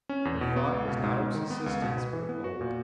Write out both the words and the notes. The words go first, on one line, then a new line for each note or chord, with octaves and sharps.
Their thought was not of subsistence, but of gold.
C#4
E2
B2
B3
C#2
B2
G#2
G#2
D#3
B3
C#2
B2
B4
E3
B3
F#4
A#2